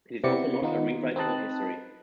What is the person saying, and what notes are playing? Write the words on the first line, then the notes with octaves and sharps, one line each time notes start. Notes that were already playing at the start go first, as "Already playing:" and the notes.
It is also not a rewriting of history.
C3 B3 C4 E4 D5 C#7
D#3 B3 D#4 F4
C4 D#4 B4 D#5 A5 F#6